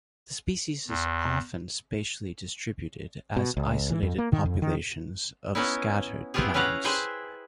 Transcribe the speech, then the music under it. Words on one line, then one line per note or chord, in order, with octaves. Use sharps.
The species is often spatially distributed as isolated populations of scattered plants.
E2
B2
C#2
E3
F2
A#3
D#3
F2
D#3
B3 C#4 D#4 E4
B3 C4 E4 F4 G4 G#4
C#4 E4 B4 F5 F#5 A#5
G#4 B4 C5 E5 G5